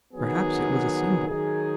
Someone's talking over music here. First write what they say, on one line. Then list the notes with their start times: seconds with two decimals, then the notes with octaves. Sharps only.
Perhaps it was a symbol.
0.12 D#3 F#3 B3 G#4
1.28 D#3 F#3 D#4 G#4